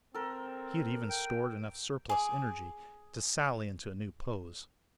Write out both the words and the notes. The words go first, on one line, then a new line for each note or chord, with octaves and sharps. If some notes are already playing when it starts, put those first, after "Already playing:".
He had even stored enough surplus energy to sally into a new pose.
C4 A4 A#4
G5
G#4 D6